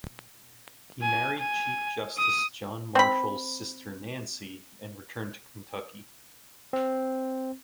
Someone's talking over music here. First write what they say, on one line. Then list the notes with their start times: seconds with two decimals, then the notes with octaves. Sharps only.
He married Chief Justice John Marshall's sister Nancy, and returned to Kentucky.
1.02 G#5
1.39 G#5
2.18 D#6
2.95 C4 B5
6.73 C4